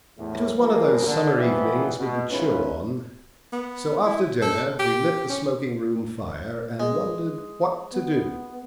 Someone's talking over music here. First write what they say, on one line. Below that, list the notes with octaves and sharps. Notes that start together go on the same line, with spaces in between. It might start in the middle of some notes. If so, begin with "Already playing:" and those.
It was one of those summer evenings with the chill on, so after dinner we lit the smoking-room fire and wondered what to do.
E2 A2
D#2 F3 G3 G#3 A#3
D3
B2 E3 F3 G3 B3
B2
D#2 G#2 C#4 E4 F4 B4
B3
E4
A4
G4
C#4
G#3
B3